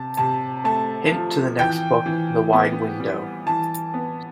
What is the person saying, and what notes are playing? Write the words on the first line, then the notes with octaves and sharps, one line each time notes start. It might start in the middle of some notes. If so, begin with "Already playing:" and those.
Hint to the next book The Wide Window.
Already playing: C3 A5
C3 A5
A3 A5
F3
E3 G5
E3
B3
G3
E3 A5
B3